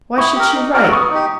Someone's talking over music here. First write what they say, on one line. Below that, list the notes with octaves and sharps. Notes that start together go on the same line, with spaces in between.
Why should she write?
E4 C#6 D#6
G4 A#4
D#4
F#4 A#4 D5
E6
B3 C#6 D#6
D#4 G4